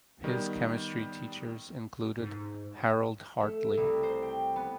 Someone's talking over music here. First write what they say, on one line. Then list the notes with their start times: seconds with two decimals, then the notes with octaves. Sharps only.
His chemistry teachers included Harold Hartley.
0.24 D#3 G3 B3
2.20 G#2
3.41 A3
3.77 C2
4.03 C5
4.22 G5
4.56 B3